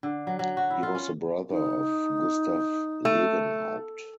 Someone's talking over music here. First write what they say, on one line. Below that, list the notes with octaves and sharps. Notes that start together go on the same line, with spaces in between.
He was the brother of Gustaf Lewenhaupt.
D3
F#3
F#3
F#4
E4
F4
C#4
D#4
A3